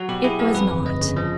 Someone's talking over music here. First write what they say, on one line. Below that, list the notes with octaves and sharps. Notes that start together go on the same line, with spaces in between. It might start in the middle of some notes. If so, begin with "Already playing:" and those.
'It was not.
Already playing: F#3 F#4
B2 G4
E4 G#4
B3 A4
F2 B4
G1
G1 D#5
C#3
F3 D#5